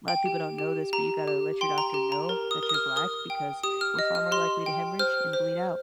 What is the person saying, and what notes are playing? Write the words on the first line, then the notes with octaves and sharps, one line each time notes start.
a lot of people don't know this, but you gotta let your doctor know that you're Black, because we're far more likely to hemorrhage and bleed out.
G5
G4
G4
G4 A#5
G4
G5 C6
A#5
G4
A#5
A#4
D#6
A#4
D#6
F6
A#4 D#6
G5
G4 D#6
F6
D#5
F6
G4 C6
G5
C5 F6
C5